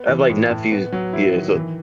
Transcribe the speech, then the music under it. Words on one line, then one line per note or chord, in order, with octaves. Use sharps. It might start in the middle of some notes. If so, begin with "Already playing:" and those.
I have, like, nephews. Yeah, so
Already playing: B3
E3
A2
A2
B3
F#3
E4
D#3
E3